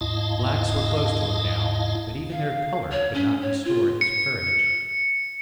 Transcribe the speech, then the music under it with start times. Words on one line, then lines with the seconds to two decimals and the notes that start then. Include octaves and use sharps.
The blacks were close to him now, but even their colour could not restore his courage.
0.01 D#2 G#2 E4 D#5 F5 A5
2.32 F5
2.91 C#5
3.14 C#4
3.41 C#5
3.65 F4
4.01 C#7